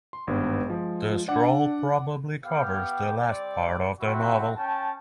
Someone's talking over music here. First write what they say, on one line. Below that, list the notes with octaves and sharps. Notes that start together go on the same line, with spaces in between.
The scroll probably covers the last part of the novel.
C6
G#1 G2 B3
F3 G#3
F4
D4 D5 F#5 D6
B3 G4 F5 G5
G3 C4 D5
C4 E4 F#4
C#4 G5 A5